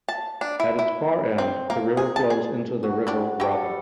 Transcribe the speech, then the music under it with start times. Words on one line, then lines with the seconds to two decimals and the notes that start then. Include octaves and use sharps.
At its far end, the river flows into the River Rother.
0.09 A5
0.41 D4
0.60 E4
0.79 E4
1.38 C4
1.70 A#3
1.97 G#4
2.16 A5
2.30 G#4
2.83 F#4
3.07 G3 D4 G4
3.40 G3 F#4 G#4 A4 G5